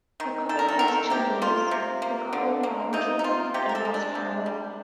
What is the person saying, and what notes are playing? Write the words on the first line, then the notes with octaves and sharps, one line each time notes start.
The couple has two boys, Ricardo Powell Junior and Ross Powell.
D#3
D#3 A4
A#4
A4
D#3 A#4
A4
C3 G4
A#3 F4
C3
A#3
D3
A#3
C3 D#4
D#4
A#3 F4
C3 G4
A#4
A4
A#3
D4
C3
G3